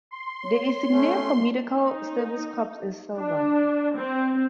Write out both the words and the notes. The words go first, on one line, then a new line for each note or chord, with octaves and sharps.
The insignia for Medical Service Corps is silver.
C6
C#5
A3 C#4
D#4
D4
C4